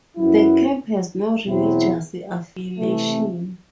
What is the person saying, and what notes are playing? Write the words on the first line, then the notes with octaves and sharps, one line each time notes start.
The camp has no religious affiliation.
F#2 F#3 B3 E4
E2 B2 F#3 C4 E4
C3 E3 A3